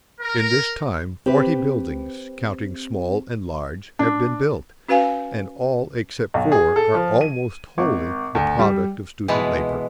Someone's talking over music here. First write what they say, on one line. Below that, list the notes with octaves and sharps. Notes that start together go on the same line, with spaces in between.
In this time forty buildings, counting small and large, have been built, and all except four are almost wholly the product of student labour.
A#4
C4 G4 B4
D4
C#4 F#4 B4 F5 G#5
B1
G#4
A4
F3
D#7
G#1
D2
G3
B2 E3 G#3 B3